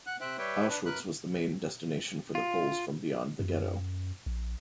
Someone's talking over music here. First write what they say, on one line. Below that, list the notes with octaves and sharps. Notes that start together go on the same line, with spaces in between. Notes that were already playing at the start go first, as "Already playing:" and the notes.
Auschwitz was the main destination for the Poles from beyond the ghetto.
F#5 F#6
C3 C5 E5 G5 F#6
G3 G4 B4 C#5 E5 G5
D4 B4
F#2 A#4 B4 B5 F#6
F4
F#2
A#1